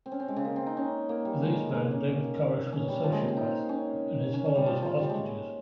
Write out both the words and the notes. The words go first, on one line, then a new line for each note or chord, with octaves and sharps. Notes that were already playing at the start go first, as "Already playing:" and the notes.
For these men, David Koresh was a sociopath, and his followers were hostages.
C4
C#4
C4
G#3
C#3
A#3
C4
D#4
C#4
A#3
G3
G#3
G#3
A#3
C#4
C#4
G3
F3
G#3
A#3
C4
D#4
C#4
C#4
C#4
G3
F3
F3
G3
G#3